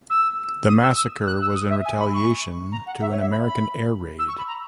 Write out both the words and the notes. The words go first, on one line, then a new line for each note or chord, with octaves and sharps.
The massacre was in retaliation to an American air raid.
E6
D#6
E6
E6
F#6
E6
D#6
E5
G#5
B5
C#6
A#5
F#5
E5
C#5
E5
B5
B5
E6
C#6
B5
A#5